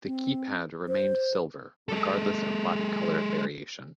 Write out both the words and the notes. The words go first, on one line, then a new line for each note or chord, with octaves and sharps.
The keypad remained silver regardless of body color variation.
C4
C5
G#3 A4